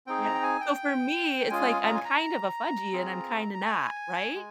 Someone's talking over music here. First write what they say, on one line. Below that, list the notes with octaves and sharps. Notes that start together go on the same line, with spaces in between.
Yeah, so for me, it's like I'm kind of a fudgy, and I'm kinda not, right?
C4 D#4 G#4 G5
A#5
G5
G#5
G5
G#3 C#4 F4 G#4 G#5
A#5
G#5
A#5
C4 F4 G#4
A#5
G#5
G#3